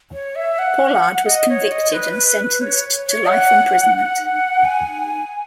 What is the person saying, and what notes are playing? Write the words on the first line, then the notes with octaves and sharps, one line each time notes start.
Pollard was convicted and sentenced to life imprisonment.
C#5
E5
F#5
D#5
C#5
D#5
B4
C#5
C#5
F#5
F#5
G#5